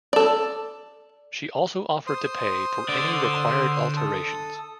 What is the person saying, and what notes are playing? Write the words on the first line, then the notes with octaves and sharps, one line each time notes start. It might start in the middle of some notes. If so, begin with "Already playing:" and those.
She also offered to pay for any required alterations.
A4 D5
C5 C6 D#6
D3 D5
A4 D#6